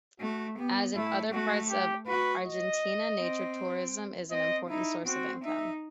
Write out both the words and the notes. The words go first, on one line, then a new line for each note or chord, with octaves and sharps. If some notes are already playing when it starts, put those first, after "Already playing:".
As in other parts of Argentina, nature tourism is an important source of income.
A3 F#4
B3 G4
A3 E4
A3 F#4
G4
F#4 B4
D#5
C4
C4 D#5
D#4 E4
C4 F#4
D#4 E5